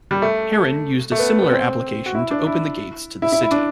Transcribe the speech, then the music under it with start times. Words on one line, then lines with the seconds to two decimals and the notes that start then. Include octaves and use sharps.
Heron used a similar application to open the gates to the city.
0.11 G3
0.22 A3
1.12 A3
1.19 B3
1.42 B3
1.51 C4
2.06 F#4
2.15 E4
2.31 D4
2.47 E4
3.22 E4
3.32 E4
3.43 E4
3.51 D4